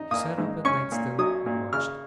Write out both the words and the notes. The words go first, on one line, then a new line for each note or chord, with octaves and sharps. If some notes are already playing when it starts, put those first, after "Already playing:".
She sat up at night still, and watched.
Already playing: D#4
A#3 D#6
G#2
C#4 C#6
A#2
F#3 D#6
A#2
C#3 F6